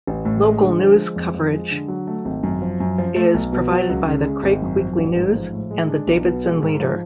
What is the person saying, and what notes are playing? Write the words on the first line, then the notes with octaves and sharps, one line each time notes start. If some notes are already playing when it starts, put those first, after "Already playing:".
Local news coverage is provided by the "Craik Weekly News" and the "Davidson Leader".
A1
A2
G#3
D3
F3
G#3
F2
F3
G#3
D3
F#3
A3
G#1
F#2
F3
F#2
F3
A3
B1
B2
F#3
C#2
C#3
G#3
G#1
F#2
F3
A1
G#2
F3
A2
G#3
D4
B1
B2
G#3
G#2
F3